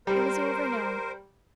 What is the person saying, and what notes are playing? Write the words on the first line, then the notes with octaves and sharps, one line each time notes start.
It was over now.
G3 A#4 C5